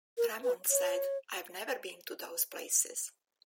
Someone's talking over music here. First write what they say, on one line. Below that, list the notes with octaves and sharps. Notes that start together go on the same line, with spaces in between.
Drummond said I've never been to those places.
A#4
B4
C#5